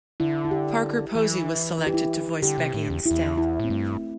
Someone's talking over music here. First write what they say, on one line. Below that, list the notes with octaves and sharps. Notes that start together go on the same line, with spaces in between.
Parker Posey was selected to voice Becky instead.
D3 E4
E4
G4
E3
E4
G4
E4
D3 G4
C3
A2
E2
E4
E2
E4
A2
C4
G2 A3